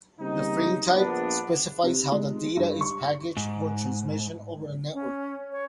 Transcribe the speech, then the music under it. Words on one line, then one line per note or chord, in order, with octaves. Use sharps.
The frame type specifies how the data is packaged for transmission over the network.
C#3 G3 A#3 C4 D#4
A#1 B3 D4
C3
G#3
G2
C#6
G#2
C#4
C#5